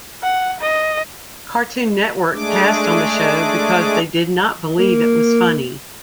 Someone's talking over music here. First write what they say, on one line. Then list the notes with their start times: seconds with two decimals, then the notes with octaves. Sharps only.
Cartoon Network passed on the show because they did not believe it was funny.
0.23 F#5
0.61 D#5
2.34 G#3 A3 D4 G#4 D6
4.79 A#3